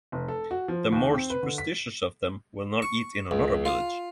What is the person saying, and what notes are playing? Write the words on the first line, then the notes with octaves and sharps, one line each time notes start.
The more superstitious of them will not eat in another village.
F1
A4
F#4
F3
D#2
C4
B4
D3
B6
C#6
C#2
F4